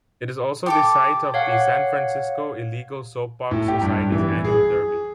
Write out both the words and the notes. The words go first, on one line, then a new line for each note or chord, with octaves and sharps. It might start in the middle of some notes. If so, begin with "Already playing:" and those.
It is also the site of the San Francisco Illegal Soapbox Society's annual derby.
G4 A4 D6
C#5 F5 F#5
A2
G4
G2
E3
G#4